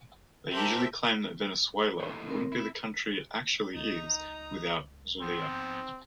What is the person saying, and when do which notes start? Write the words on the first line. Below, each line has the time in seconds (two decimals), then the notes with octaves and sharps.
They usually claim that Venezuela wouldn't be the country it actually is without Zulia.
0.52 G4 A4 A#4 C5 E5 G5
2.00 D#2 A2
2.29 C4 A#4
2.52 E4
3.75 C#2 D#4 A#5 D#6
5.21 G#2 F3 B3 C4 C5